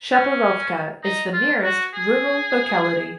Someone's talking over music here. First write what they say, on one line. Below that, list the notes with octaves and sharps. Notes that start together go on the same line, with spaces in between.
Shaparovka is the nearest rural locality.
C#4
D#4
F4
F#4
G#4